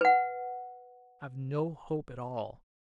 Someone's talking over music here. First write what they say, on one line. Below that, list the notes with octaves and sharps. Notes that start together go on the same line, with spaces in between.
I have no hope at all.
B4 F#5